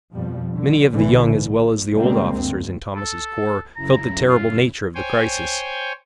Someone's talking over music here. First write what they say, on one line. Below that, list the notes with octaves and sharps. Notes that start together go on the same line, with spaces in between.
Many of the young as well as the old officers in Thomas' corps felt the terrible nature of the crisis.
F2 B2 F3 G3
D3
B1 B2 D3 E3
A#2
C#3 G3 G#3 A#3 C4
D2 G2
A4
F#2 C#3 E4 A#5
F4
C5 C#5 G5 G#5